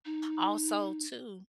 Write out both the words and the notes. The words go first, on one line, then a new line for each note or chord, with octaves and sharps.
also too
D#4